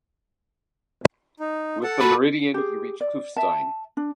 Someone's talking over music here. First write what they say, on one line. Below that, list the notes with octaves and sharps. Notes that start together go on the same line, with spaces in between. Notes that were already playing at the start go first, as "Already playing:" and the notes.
With the meridian you reach Kufstein.
D#4
A4 F#5 A5
F#4 A#4 B4
G4 G#4
D5
E5 A5
D4